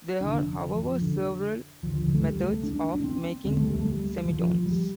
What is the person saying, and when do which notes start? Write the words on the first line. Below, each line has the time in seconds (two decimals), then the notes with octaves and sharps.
There are however several methods of making semitones.
0.21 F1 F2 D3 D4
0.75 F3
1.01 D3
1.83 D2 D3 F3
2.03 D3
2.14 A3
2.23 G3
2.43 A3
2.63 D4
2.95 D4
3.04 C4
3.44 D2 D3 C4
3.54 A3
3.63 G3
3.73 A3
3.85 G3
4.26 F3
4.45 F3
4.66 G3